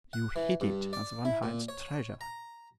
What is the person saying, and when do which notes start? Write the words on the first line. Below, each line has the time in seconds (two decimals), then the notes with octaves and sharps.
You hid it as one hides treasure.
0.13 F#5
0.36 E3
0.61 G2
0.93 D5
1.25 E4
1.43 A#2
1.69 C#5
2.21 A#5